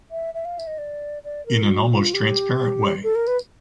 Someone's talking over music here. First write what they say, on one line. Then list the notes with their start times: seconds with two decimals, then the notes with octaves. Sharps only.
In an almost transparent way.
0.11 E5
0.34 E5
0.45 F5
0.59 E5
0.67 D#5
0.78 D5
1.24 D5
1.46 A#4
1.63 F4
1.69 F#4
1.91 F4
2.14 G4
3.04 A4
3.15 A#4
3.27 B4